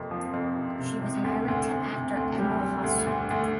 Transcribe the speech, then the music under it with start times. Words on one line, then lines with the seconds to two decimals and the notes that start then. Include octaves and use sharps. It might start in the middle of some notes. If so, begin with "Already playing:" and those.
She was married to actor Emil Hossu.
Already playing: F2 C3 F3 A#3
0.11 F3
0.33 F2
0.56 C3
0.79 C3
1.01 C3
1.24 D2
1.48 D2
1.70 D2
1.93 C3
2.15 D2
2.39 G3
2.61 G3
2.84 D2
3.07 D2
3.31 D2